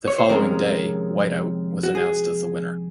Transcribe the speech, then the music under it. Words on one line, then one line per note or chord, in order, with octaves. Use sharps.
The following day, White Out was announced as the winner.
C#5
C5
F2 C3 D#3 G#3 C#4 A#4
F#4
G#4